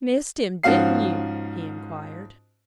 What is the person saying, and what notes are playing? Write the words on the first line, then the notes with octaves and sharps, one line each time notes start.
"Missed him--didn't you?" he inquired.
G#2 F3 C#4 F#4 F5 C7